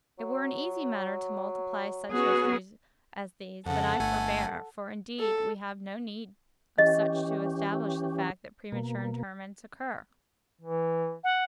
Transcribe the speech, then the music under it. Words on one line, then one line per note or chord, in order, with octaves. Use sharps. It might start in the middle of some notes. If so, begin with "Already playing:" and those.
It were an easy matter to multiply such histories as these--but I forbear--for, indeed, we have no need of such to establish the fact that premature interments occur.
F#3
B3 C#4 F#4 G#4
F2 C#3 A4 F#5
G1 A3 G#5
A4
E3 C#4 G4 D#5
B2 A#3
E3
F#5